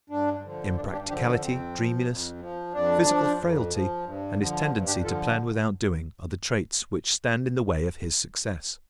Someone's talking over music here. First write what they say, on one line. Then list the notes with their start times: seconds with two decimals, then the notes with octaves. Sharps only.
Impracticality, dreaminess, physical frailty and his tendency to plan without doing, are the traits which stand in the way of his success.
0.10 G2 D4
0.43 D3 F3
0.75 G2 D4
0.92 D4 G4
1.08 D3 F3 D4 G4
1.25 D4
1.41 F2 C4
1.74 F3
2.08 F2
2.40 F3
2.73 F2 D4
3.06 F3
3.39 F2
3.72 F3
4.05 G2
4.37 D3 F3
4.71 G2
4.87 D4 G4
5.04 D3 F3 F4 A4